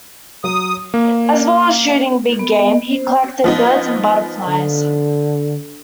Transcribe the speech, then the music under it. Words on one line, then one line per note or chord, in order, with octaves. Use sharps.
As well as shooting big game, he collected birds and butterflies.
F#3 D#6
A#3
B3
B3
C5
F3 B3 D#4
D3